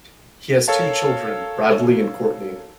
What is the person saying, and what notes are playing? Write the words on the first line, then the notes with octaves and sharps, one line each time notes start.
He has two children, Bradley and Courtney.
A4 A#4 C#5 F5 A5